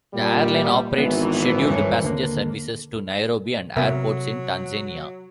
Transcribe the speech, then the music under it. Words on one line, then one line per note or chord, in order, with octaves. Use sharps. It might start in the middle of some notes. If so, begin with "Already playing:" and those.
The airline operates scheduled passenger services to Nairobi and airports in Tanzania.
A#2 G3
G#1 E3 B3
G2 C#5
D#2 D3 A#3
C3 F#3 B3 A#4 E5